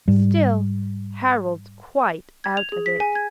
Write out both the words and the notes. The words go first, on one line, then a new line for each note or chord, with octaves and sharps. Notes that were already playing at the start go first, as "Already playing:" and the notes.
Still, Harold's quite out of it.
G#2 G3
G#6
F7
G#4
B6
G#5
G#6